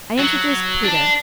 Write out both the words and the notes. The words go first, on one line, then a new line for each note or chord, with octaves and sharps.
I introduced Peter.
F#3
D4